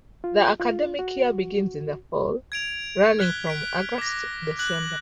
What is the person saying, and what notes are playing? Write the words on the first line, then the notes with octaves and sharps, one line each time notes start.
The academic year begins in the fall, running from August to December.
F4
F4
F#4
G#6 D7 F7
F6 F#6 G#6 B6 G7
B6 D7
D6 A#6
F#6 G#6 F#7